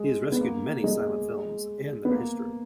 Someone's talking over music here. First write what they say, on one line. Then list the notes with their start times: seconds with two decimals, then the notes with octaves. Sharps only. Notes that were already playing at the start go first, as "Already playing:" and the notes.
He has rescued many silent films and their history.
Already playing: G#3
0.32 B3
0.41 A#3
0.84 G#3
2.05 B3
2.12 A#3